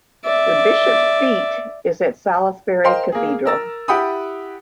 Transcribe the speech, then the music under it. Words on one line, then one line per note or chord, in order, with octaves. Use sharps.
The bishop's seat is at Salisbury Cathedral.
D5 E5
A#4 C5 D#5 F5 G5 C6
A#3 G#4
A#4 E6 A6
E4 G4 F#5 G5 B5 D#6